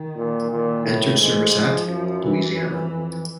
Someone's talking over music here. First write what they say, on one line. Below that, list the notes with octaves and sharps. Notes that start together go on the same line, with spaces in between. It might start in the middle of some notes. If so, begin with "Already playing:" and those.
Entered service at: Louisiana.
Already playing: D#3
A#2
A#2 D#3
A2
G#2 E3
F3
F#2
E3
F2
F2